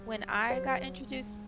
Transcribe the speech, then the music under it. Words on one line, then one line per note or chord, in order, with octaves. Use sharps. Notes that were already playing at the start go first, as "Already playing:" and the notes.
when I got introduced
Already playing: G3
F#3 C5
G#3